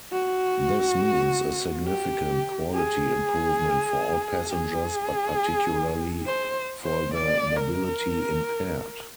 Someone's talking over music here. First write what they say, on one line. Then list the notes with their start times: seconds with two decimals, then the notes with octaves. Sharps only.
This means a significant quality improvement for all passengers but particularly for the mobility-impaired.
0.12 F#4
1.87 G4
2.74 G#4
4.50 G#4
6.26 C5
6.84 C5
7.14 D5
7.57 A#4